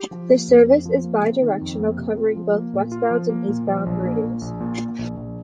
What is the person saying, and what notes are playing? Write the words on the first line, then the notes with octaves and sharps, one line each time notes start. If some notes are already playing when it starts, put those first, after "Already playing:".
This service is bi-directional, covering both westbound and eastbound routings.
Already playing: G4
F3
A#3
F2
G4
F3
A#3
C3
D#3
F2
A#3
C3
F4
F3
A#3
A#2
F4
F3
A#3
A#2
F3
A#1
A#3
A#2
A#1
A#2
A#3
A#1
A#1